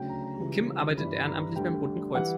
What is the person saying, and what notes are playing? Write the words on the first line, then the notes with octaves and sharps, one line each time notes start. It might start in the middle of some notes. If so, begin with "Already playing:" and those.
Kim arbeitet ehrenamtlich beim Roten Kreuz.
Already playing: D2 C#3 F#3 G5
A#5
A#5
C#2 C#3 E3 G3
G1 G2 E3 G3 B5
B5
A#5
D2 D3 G3 G5
E3 G3 F#5